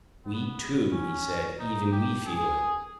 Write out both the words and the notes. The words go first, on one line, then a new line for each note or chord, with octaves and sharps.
"We, too," he said, "even we feel it."
B3
C#4
D#4
G4
G#4